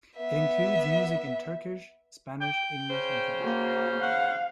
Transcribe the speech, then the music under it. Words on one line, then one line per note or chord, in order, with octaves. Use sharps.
It includes music in Turkish, Spanish, English and French.
B3 E5
G5
C#3 C#4 C5
A#3 F#4
F5 F#5